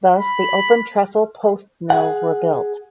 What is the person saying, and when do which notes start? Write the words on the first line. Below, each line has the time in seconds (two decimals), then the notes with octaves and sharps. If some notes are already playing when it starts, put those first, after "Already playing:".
Thus the open trestle post mills were built.
0.20 B5
1.90 G#4 F#5